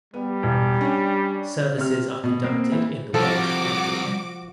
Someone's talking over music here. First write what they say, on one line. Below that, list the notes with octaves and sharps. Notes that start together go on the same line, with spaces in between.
Services are conducted in the Welsh language.
G3 B3
E1
C#4 D4
C3 F6
B2
A#3 C4
E3
C3 F3 G3 F#4 A4 D6 D7